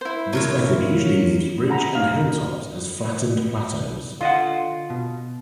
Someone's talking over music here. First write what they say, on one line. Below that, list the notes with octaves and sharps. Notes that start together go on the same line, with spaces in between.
This method usually leaves ridge and hill tops as flattened plateaus.
E4 C5
F#3 A#3 C#5
G#4 F#5 A#5 B5
D#4 F5
D3 F4 D#5 F#5
B2